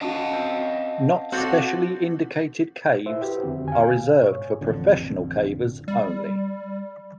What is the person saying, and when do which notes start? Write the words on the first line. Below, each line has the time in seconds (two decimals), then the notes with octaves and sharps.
Not specially indicated caves are reserved for professional cavers only.
0.01 C#4 F#4 D#5 F5 A5
0.33 C4
1.32 C4 F#4 A4 C#5 D6 G6
3.06 E4 C5 E5
3.22 F#4 G4 B4
3.43 F2 D3 D#3 C4
3.68 F5 G#5
3.89 B2
4.20 G#2 C#5
4.61 A1 F2 D3
5.88 G3